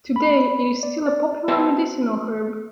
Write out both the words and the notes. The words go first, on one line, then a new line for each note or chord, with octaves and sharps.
Today it is still a popular medicinal herb.
B5
D5
D5
B3 F#4 B4 C5 G5 A5